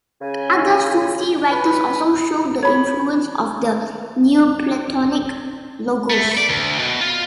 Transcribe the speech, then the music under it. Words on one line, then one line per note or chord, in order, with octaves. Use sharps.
Other Sufi writers also show the influence of the Neoplatonic Logos.
C#3 G#5
B4
C#5 B5
A3
D5
D2
B2
F4